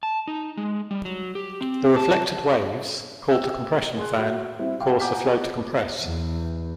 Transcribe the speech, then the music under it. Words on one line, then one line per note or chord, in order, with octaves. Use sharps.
The reflected waves, called the compression fan, cause the flow to compress.
A5
D#4
G#3
G3
F#3
G4
C4
A5
G5 E6
G#4 C6 F#6
F#4 E5
G3 C4 E4
F5 G5
F#5 G#5 A#5 D6 G6 B6
E2